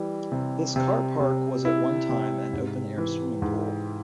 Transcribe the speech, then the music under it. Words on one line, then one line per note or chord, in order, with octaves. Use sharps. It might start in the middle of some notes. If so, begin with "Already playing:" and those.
This car park was at one time an open-air swimming pool.
Already playing: E3 G3
C3
C3
C3
E4
C3
G#2
E3
G#2